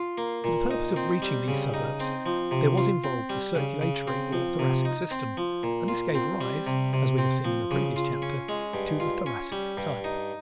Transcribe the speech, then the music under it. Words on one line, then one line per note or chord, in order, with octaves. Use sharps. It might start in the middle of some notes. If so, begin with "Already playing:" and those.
For the purpose of reaching these suburbs there was involved the circulatory or Thoracic system, and this gave rise, as we have seen in the previous chapter, to the Thoracic type.
Already playing: F4
A#3
A#2
D#4
C4
G3
C#3
D#4
C4
F3
C3
F4
C4
G3
C#3
C#3
C4
F3
C3
D#4
C4
F3
A#2
F4
C4
G3
C3
C3
C4
F3
C#3
F4
C#4
G#3
G2
F4
C#4
G3
G2
D#4